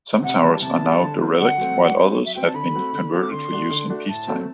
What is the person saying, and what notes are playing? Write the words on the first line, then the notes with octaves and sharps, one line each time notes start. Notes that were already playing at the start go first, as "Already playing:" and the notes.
Some towers are now derelict while others have been converted for use in peacetime.
C3 F#5
G5
E3 G3
A5
C3 A5
E3 G3
D3
F#3 A3 C4
D3 F#5
F#3 A3 C4
F#3
C4 F#4
F#3
E5
C4 F#4 G5
A5
D3 B5
A3 C4 F#4 A4
D3
A3 C4 F#4 A4
D6
D3 C6
A3 D4 F#4
D3
A3 D4 F#4
A2 A5
F#3 A3 C4